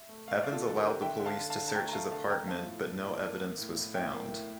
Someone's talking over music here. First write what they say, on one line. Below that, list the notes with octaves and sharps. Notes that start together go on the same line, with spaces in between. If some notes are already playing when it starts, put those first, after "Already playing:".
Evans allowed the police to search his apartment but no evidence was found.
Already playing: E5
A3
A3 F5
E5
D3 D5 F5
F4 A4
D3 A4
G4 A#4
D3
D3 E5 G5
D3
F5 A5
D3
F5 A5
D3
A5
A3 G5 A#5
A#5
A3 F5 A5
D3 F5 A5
A3 G5 A#5
F3 F5 A5
A2
A2
A2
A#3
A#3
A2
A2
A2 E5 G5
A#3
A2